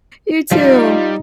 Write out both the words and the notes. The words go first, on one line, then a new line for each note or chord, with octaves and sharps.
You too.
F3 G3 D#4 F4